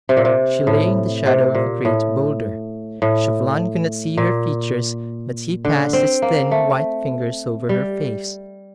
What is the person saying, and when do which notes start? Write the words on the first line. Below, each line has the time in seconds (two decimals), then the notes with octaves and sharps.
She lay in the shadow of a great boulder; Chauvelin could not see her features, but he passed his thin, white fingers over her face.
0.09 C3
0.17 A#2
0.25 C3
0.67 A2
1.26 C3
1.55 A#2
1.85 A2
3.02 A2
4.17 A#2
5.65 D3
5.93 C4
6.22 A#3
6.51 A3
7.69 G3